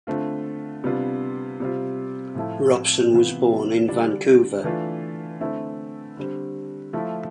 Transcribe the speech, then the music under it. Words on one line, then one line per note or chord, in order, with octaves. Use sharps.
Robson was born in Vancouver.
D3 A3 C4 F4
C3 G3 B3 D4 F4
C3 G3 C4 F4
A2 F3 A3 E4
C3 E3 B3 F4
D3 G3 D4
E3 A3 D4 F4
D3 A3 C4 E4
D3 G3 C4
F3 A3 E4